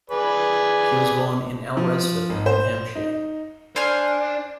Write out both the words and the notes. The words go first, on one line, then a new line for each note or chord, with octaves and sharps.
She was born at Alresford in Hampshire.
G#4 B4 D5
F3
G#1
C5
D#4
D4 C5 G#5 F6